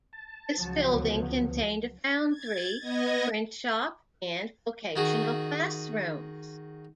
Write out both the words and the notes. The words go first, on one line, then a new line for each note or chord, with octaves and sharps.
This building contained a foundry, print shop, and vocational classrooms.
A5
C#2 F3 F#3
D2 B3
G#6 A6
B3 D#5 G#6 A#6
D#3 F#4 G#4